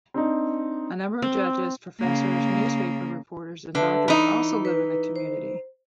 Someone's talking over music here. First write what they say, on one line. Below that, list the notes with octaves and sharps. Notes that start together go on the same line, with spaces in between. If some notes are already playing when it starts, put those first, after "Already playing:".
A number of judges, professors, newspaper reporters, and doctors also live in the community.
C4 D4 D#4
C4
C#3 A#3
D3 B4 E5 A5
E3 D#4 B5
B4
C5